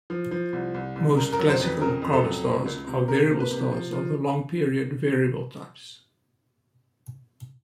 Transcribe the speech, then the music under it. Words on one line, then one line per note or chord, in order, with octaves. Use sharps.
Most classical carbon stars are variable stars of the long period variable types.
F3
F3
C2
C2
C2
C#3 A#4
A#4
F#3
C5
F2
B4
C#3 A#4
F2
A4
F#3
A#3
C#2
C3
C3 A#4
A#3
B4
C3
F3
F3